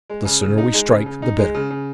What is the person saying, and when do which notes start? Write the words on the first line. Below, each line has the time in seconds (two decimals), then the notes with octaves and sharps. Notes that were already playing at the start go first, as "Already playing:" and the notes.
The sooner we strike the better.
0.10 G#3
0.25 C#3
0.41 C#3
0.58 D#4
0.74 G#3
0.90 C#3
1.06 C#3
1.22 D#4
1.38 G#3
1.55 C#3
1.70 C#3